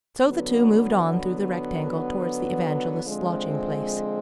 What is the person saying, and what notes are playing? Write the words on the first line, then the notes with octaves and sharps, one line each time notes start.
So the two moved on through the Rectangle toward the evangelist's lodging place.
D3 F#3 B3
D3 F3 G#3 C4